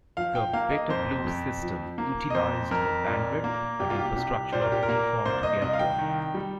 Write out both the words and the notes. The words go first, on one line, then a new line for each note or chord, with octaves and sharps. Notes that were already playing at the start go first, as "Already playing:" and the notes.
The "BetaBlue" system utilized the bandwidth and infrastructure of defunct Airfone.
F3 F5
G5
A#3 F5
D#5
F2 C5
F2
F3
A#3
D#5
F2 C5
F2 A#4
A#2
A#3
C2 G4
F4
G4
C2 G4
A#2 C5
A#4
G4
A#4
A#3
C2 C5
D#5
C2 D#5
F5
G5
D#3
G3